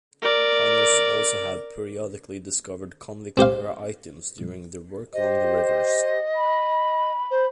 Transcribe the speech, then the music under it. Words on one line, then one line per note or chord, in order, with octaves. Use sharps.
Piners also have periodically discovered convict era items during their work along the rivers.
A#4 D5
C4 G4 C5 F5
G4 C5 D#5
B5
C5